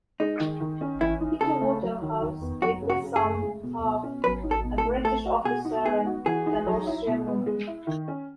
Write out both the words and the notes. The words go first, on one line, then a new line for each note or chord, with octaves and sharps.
Peter Waterhouse is the son of a British officer and an Austrian woman.
G#3 D#4
D#3
D#3
C#4
E3 E4
D#4
C#3 A4
A3
F#3
D#3
D#3
B3
F#3 F#4
C#3
F#4
C#3
G#4
A3
G#3
B2
B2
C#4
F#3 B4
D#4
A4
B2
A4
A3
A3 A4
F#4
B2 G#4
D#4
B3 G#4
F#4
E3 G#4
D#4
F#3
E4
B2
B3
G#3
E4
D#3
C#4